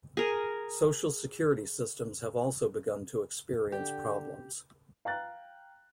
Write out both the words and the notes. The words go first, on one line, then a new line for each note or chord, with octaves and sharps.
Social security systems have also begun to experience problems.
G#4 A#4
D3 G4
F5 G5 A#5 F#6 A6